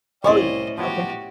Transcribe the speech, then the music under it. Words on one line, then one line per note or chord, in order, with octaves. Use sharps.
Oh, you okay.
C2 A2 C#4 E4 C5 D5 D#5 C#6
F3 B3 F#4 G4 C#5